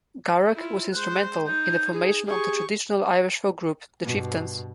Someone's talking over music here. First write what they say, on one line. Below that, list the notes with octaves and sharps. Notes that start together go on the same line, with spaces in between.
Garech was instrumental in the formation of the traditional Irish folk group, The Chieftains.
E4 F4
G#3 C5 F#6
D#4 G6
G#4
G4 G#4 C#6
G2 B2